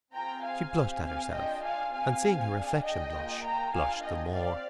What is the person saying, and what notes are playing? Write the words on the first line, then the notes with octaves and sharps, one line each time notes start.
She blushed at herself, and seeing her reflection blush, blushed the more.
C4 F4 G#4 G5 A#5
F5 G#5
C4 G4
F5 G#5
D4 F4 G#4 D#5 G5
F5 G#5
C4 G4 F5 G#5
D4 G#4
D#5 G5
A#3 F4 G#4
G5 A#5
A#3 D4 F4 G#4 F5 G#5
D#5 G5
C4 G4 D5 F5